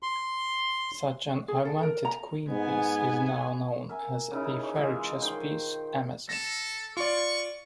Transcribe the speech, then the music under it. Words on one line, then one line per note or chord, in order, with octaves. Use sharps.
Such an augmented queen piece is now known as the fairy chess piece "amazon".
C6
G#4
A4
A#4
A#5
G#2 B3 G#5
A#4 E5 G#5
C#3 D#4 E4
E3 G#3 F4 E5
D#3 C5 G5
A4 A#6 E7
F4 D5 C#6